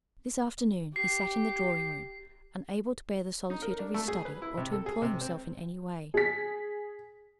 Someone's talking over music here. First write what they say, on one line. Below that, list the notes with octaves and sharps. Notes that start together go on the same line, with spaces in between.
This afternoon, he sat in the drawing-room, unable to bear the solitude of his study, or to employ himself in any way.
G4 C7
D#4
A#4
D4
A3
G#4
B4
E4
C3
A4
G#4
C3
C4
G#4 B6